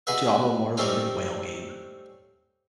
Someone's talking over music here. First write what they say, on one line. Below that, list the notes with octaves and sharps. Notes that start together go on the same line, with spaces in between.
Diablo Immortal's a big whale game
F#4 G#4 B4 D#5 E5
G3 A3 C4 C#4 D#4